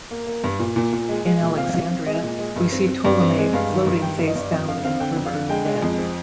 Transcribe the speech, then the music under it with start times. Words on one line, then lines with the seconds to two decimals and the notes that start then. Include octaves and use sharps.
In Alexandria, we see Ptolemy floating facedown in the river, dead.
0.11 A#3
0.27 A#3
0.44 G2
0.59 A#2
0.76 A#2
0.92 A#2
1.09 G#3
1.25 G#3
1.42 A#2
1.57 C4 F5
1.74 C4
1.91 C4
2.06 G#3 D#5
2.23 A#2
2.39 G#3
2.56 G2
2.72 C4
2.88 C4
3.05 G2 D5
3.21 C4
3.38 G#3
3.53 G2 F5
3.70 D#3
3.87 G2
4.02 D#3 G5
4.18 G2
4.27 D#5
4.35 G2 D5
4.51 F2 D#5
4.68 D3 F5
4.84 C4 F5
5.00 D3 G5
5.17 F2
5.26 F5
5.34 D3
5.49 G#3 G5
5.66 G#3
5.82 F2
5.98 C4